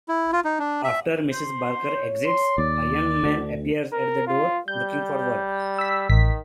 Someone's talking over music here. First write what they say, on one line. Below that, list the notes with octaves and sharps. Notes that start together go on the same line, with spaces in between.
After Mrs. Barker exits, a Young Man appears at the door, looking for work.
E4
F4
D#4
D4
E5
C5
C#5
C6
D#2 D5
D2 D3 D4
A#4
F4
G3 G6
E6 B6
A1 D#3 B6